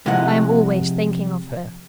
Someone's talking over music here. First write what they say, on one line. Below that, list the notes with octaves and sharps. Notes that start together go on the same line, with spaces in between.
I am always thinking of her.
C3 F3 G#3 E4 D#5 F#5